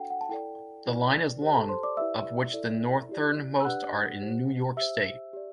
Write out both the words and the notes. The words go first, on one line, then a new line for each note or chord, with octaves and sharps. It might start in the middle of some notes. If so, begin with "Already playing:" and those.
The line is long, of which the northernmost are in New York State.
Already playing: D4 F#4 A4 F#5 G5
F#5
A5
E4 A4 D5 G5
E4 B4 D5
G4 C5
A4 A5
C5 C6
D5 D6
E4 G4 B4 D5 E5 E6
E4 A4 D5
E4 G4 D5
E6
D4 G4 B4 D5 F#5 F#6
G4 C5
G4 C5 E5 E6
G4 D5